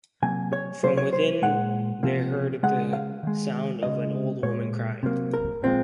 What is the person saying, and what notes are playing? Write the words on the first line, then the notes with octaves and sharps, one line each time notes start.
From within they heard the sound of an old woman crying.
C3 F#3 A#3 G#5
C#5
C3 F#3 A#3 C5
C#5
C5
A#2 G#3 F#5
C3 F3 A#3
C#3 G#3 F#5
F5
D#3 G#3
C#3 G#3 D#5
A#2 G#3 C#5
C3 F#3 A#3
A#4
A#2 F3 G#3 C4